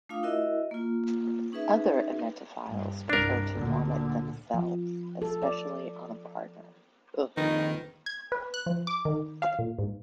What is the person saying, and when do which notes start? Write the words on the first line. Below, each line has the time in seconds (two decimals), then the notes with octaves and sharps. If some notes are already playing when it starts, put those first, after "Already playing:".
Other emetophiles prefer to vomit themselves, especially on a partner.
0.09 A3 D4 F4 F5 D#6
0.23 E4 F#4 A#4 D#5 E5
0.71 A#3 F4
1.52 C#4 D#4 G#4 B4 E5
2.67 G2
3.10 C2 G2 D4 A#4
3.57 D2 A#2 D3
4.54 F3
5.22 A4
5.42 D5
7.37 A#1 F2 D#3 D#4 B4
8.06 G#6
8.32 B4
8.54 F#6
8.66 F3
8.87 D6
9.05 D#3
9.42 F5
9.59 A#2
9.78 G#2